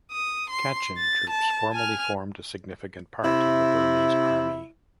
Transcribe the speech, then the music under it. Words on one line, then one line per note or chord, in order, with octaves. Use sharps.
Kachin troops formerly formed a significant part of the Burmese army.
D#6
C6
A6
A5
G#5 F6
C3 E4